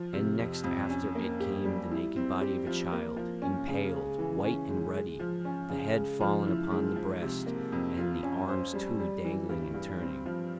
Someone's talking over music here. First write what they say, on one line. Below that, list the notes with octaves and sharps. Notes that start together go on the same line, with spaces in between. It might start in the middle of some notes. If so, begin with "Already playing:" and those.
And next after it came the naked body of a child, impaled, white and ruddy, the head fallen upon the breast, and the arms, too, dangling and turning.
Already playing: F3
C3
F2
F2
C#4
A#3
G4
G3
E4
C4
G4
F3
A#3
F3
C#4
C#3
G#3
E3
C#4
G#2
G#3
F3
C#4
C#3
G#3
F3
E4
G#2
F3
C3
A#3
F2
F4
C#4
C5
G3
G3
E3
G2
G2
C4
F3